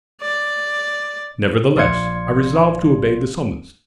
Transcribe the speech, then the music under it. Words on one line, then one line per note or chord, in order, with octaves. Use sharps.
Nevertheless, I resolved to obey the summons.
D5
A#1 D5 F5 C6 G#6 C#7